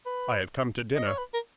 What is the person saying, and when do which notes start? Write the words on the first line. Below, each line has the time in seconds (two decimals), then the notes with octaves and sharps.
I have come to dinner.
0.06 B4
0.95 D#5
1.07 C#5
1.18 B4
1.34 A#4